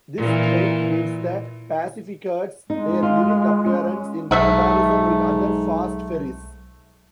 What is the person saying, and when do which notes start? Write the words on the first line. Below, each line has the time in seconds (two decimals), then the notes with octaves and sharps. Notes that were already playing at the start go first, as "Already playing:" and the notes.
This trait gives the PacifiCats their unique appearance in comparison with other fast ferries.
0.17 A#2 E3
2.70 G#3 D#4
3.03 F4
3.66 C#4
4.31 B1 G#2 A3 E5 F#5